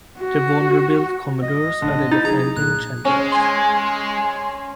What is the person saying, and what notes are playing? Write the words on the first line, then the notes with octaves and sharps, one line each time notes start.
The Vanderbilt Commodores are the defending champions.
F#4
G#2 D#5
A1 D3
D#4 E4 A6
C#3 F#3 G#4 A#5
A#2 F#6
G#3 C#4
G#5 C6